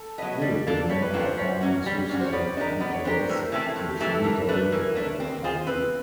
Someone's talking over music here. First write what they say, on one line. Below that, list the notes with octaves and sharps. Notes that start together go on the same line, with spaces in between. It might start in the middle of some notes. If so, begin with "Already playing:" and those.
In the commune are found the sources of the Butteresse, a tributary of the Hallue.
Already playing: A4
F#3 B3 D#5
G3 D5
A#3 D4 F4 A4
G3 C#5
B4
A#3 D4 F4 A4
C5
G3 C#5
A#3 C#4 F#4
G3
A#3 C#4 F#4
C5
C#5
B3 D5
D4 G4 A#4 D#5
B3 D5
C#5
D4 G4 A#4 C5
B4
A2 A#4
E3 A3 C4 A4
A2
G4
E3 A3 C4 A4
A4
E3 A#4
A3 D4 B4
E3 A#4
A3 D4
C4
F4 G#4 C5
C4 B4